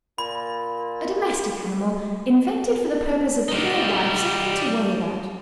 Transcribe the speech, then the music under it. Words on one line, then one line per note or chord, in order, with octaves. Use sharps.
A domestic animal, invented for the purpose of giving a wife something to worry about.
A#2 B5
G3 D#4